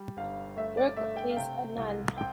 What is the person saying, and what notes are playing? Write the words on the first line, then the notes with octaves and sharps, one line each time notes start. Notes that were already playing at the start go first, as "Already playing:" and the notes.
Burke plays a nun.
Already playing: G3
G1 F5
A3 E5
D5
A3 E5
G5
F5
C3 G5
C2
C4 G5